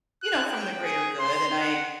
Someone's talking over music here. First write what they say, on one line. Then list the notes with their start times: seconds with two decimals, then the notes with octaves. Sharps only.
you know, from the greater good, and I
0.23 F#6
0.52 G5
0.83 G#4
1.20 C6
1.60 F#5